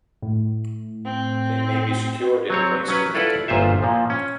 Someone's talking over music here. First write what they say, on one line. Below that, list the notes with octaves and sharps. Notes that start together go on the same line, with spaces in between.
They may be secured in place with tape.
A2
C4
F#3 C4 C#5
F#3 C#4 B4
E4 F4 A4 B4 D5 F#5
G1 A#2 F4 C5 E5
A#2 F3
C#4